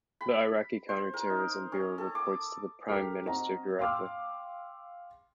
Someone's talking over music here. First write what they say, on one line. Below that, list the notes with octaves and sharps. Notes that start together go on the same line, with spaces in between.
The Iraqi Counter Terrorism Bureau reports to the Prime Minister directly.
B5
C5
A#4
D#4
C#4
A4
D6
G4 A4 A#4 F6
C4 F#4 D#5 A#5
F5 G5 C6 D6 E6 F6